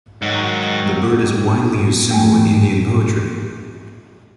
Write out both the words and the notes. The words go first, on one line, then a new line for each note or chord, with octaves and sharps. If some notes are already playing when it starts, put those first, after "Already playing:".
The bird is a widely used symbol in Indian poetry.
G#2 D#3 F#3
A3 G#5